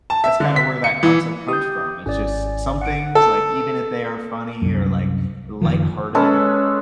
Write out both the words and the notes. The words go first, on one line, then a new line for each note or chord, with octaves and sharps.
that's kinda where that concept comes from. It's just some things, like even if they are funny or, like, lighthearted,
A5
E5
D3
B6
C#7
E3
G4 D#6 G6
G#1 C#4 D5
F#5 C#7 D7
A4
C2 F#2
F#1 D#2 D#3 F3
G#3 C#4 A4 B4